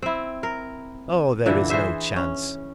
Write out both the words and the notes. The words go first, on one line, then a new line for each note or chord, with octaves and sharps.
Oh, there is no chance.
C4 E4
A#4
A#2 D3 E3 E4
E3 G#4 C5 E5
C#4